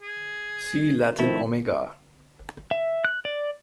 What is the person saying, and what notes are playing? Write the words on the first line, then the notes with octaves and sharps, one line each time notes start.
See Latin omega.
G#4
D#3 F3 A3 C4 E4
E5
F#6
D5